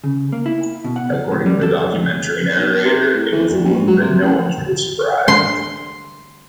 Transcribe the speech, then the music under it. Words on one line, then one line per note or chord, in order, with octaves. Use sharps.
According to the documentary narrator, It was a wound no one could have survived.
C#3
A#3
E4
B2
F#5
A2
G3
A4
B1
C3
A2
E3
D2
A#1
F#3
C3
A1
C6